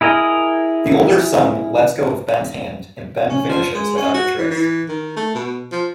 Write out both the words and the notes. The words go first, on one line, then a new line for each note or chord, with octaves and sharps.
The older son lets go of Ben's hand and Ben vanishes without a trace.
E4 G#4 A#4 D#5
C#4
F3
G#3
C#4
F#4
E3
E3
D#3
A3
B2
F3